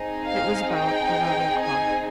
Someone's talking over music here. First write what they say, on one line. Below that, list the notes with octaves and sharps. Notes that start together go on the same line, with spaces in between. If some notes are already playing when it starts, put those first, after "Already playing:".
It was about eleven o'clock.
Already playing: C4 D#4 G#4
F5
G5
G#5